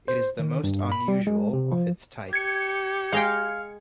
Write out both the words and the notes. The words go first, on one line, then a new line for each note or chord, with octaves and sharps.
It is the most unusual of its type.
C5
D#3
G2
B5
G3
G#3
C3
F3
G4 G#6 C#7
G#3 D#5 F5 G5